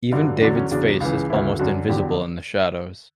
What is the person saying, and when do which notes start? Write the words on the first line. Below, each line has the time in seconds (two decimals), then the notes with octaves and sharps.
Even David's face is almost invisible in the shadows.
0.12 G2 D3 F#3
0.41 E2 D3 F#3 D4
0.56 C#4
0.71 E2 C#3 F#3 D4
1.00 C#2 C#3 E3
1.29 D2 C#3 E3 E4
1.59 F#2 D3 F#3 F#4
1.88 E2 D3 F#3 G4
1.99 G4